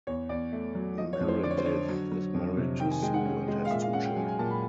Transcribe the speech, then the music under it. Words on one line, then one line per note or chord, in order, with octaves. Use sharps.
Meredith is married to Sue and has two children.
E2 C#5
E2 D5
A3
F#3
F3 D#5
C#5
F2
C5
D3 D5
C#5
C5
D3 C#5
F#3
F#3
F2
C3
D#3 G5
G#5
G#3 G5
F#5
C#4
G#3
F5
A#2 E5
F5
C#4 F#5
G5
F#3 G#5
G#5
A#2 A5
B5